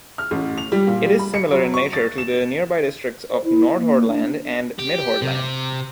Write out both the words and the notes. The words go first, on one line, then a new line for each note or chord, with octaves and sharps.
It is similar in nature to the nearby districts of Nordhordland and Midhordland.
F6
A1
F7
G3
A#2
G3
B5
C#7
F#3
C#6
A6
E7
C5
E4
A#3
D4
G4
C3